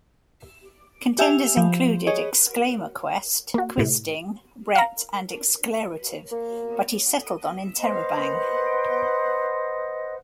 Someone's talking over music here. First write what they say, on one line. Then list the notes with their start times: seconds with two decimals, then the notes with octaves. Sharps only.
Contenders included "exclamaquest", "QuizDing", "rhet", and "exclarotive", but he settled on "interrobang".
1.19 G4 E5 G#5 E6 F7
1.57 F3
2.07 G#4 C#5 D#5
3.54 A#3 F#4
3.78 A2 C3
4.75 F5 A#5
6.31 A#3
7.80 B4 C5 D#5 F#5